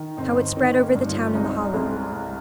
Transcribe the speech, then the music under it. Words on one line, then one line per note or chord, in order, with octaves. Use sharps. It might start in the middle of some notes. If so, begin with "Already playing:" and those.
How it spread over the town in the hollow!
Already playing: D#3
G1 C4 D#4
D#3 C4 D#4
A#3 C#4
G2
D#4
C#4 F4
C#4
C2 C4 D#4
C2 G#3 C4
C2